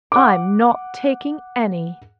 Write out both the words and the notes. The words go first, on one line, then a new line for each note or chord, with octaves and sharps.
I'm not taking any.
F#5 D6